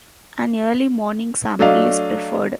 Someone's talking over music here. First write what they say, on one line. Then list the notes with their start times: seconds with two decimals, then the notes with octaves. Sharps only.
An early morning sample is preferred.
1.59 F#3 A3 D4 D#5 F5